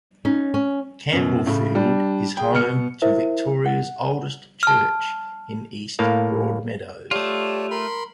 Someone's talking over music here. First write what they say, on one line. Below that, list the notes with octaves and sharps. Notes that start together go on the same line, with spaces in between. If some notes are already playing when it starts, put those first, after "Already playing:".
Campbellfield is home to Victoria's oldest church in east Broadmeadows.
C#4 D#4
C#4
F#2 B2
A2 C#3
G3 D4
G#4 G5
B2 F6 C#7
E4 A#4 C5 E5
F#5
A5 F6
A2 A#3 F5
A3 F4 G4 C#5 D5 A5
A#4 B5 C6